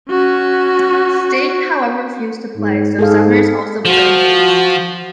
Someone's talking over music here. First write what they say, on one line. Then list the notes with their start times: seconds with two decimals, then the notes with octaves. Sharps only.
Sting, however, refused to play so Summers also played bass.
0.10 C#4 F#4
2.56 G#2
2.99 G#2 G#4 A4 F5
3.85 F3 F#4